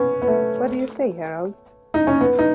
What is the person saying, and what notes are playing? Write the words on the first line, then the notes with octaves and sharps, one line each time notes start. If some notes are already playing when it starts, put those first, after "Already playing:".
What do you say, Harold?
Already playing: B3 C#4
B3
A3
D#4
C#4
B3
D#4